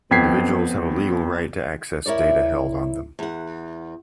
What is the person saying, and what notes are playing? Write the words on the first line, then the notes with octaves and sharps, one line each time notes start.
Individuals have a legal right to access data held on them.
F2 B3 G5 G#6 B6 C7
E4 A#4 C#5 D5
E2 F#5